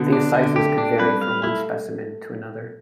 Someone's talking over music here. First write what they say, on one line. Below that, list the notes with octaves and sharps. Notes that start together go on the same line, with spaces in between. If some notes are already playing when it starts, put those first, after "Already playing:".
These sizes could vary from one specimen to another.
Already playing: B2 D3 B3
D4
D3
A3 G4
D4
G3 B4
F5
A3 E4